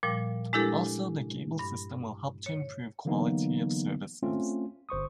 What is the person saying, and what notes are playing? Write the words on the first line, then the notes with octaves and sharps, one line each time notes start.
Also the cable system will help to improve quality of services.
A#2 F3 G3
G#3 D4 E4 G4 A4 A#4
G2
C#5
D3 E3 F#3 A#3 B3 D#4
A3 C4 C#4 F4
G1 C5 C#6 D#6